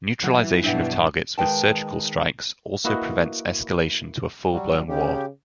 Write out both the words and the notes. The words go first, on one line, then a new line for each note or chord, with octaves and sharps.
Neutralization of targets with surgical strikes also prevents escalation to a full blown war.
E3 F#3 E4
G2 B2 D4 E5 F#5
D#3 G#3 B4 G5 A5
A#3 E4 F#4 B4 D#5 F#5
F#3 G3
C#3 G4